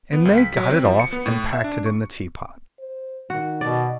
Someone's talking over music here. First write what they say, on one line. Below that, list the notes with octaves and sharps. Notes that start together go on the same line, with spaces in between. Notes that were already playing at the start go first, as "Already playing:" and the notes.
And they got it off, and packed it in the teapot.
B3
C#2
B6
F#3
C4
F3
C#7
B3
A2
E5
D4
C#6
C5
D#3 F#4
B2 D5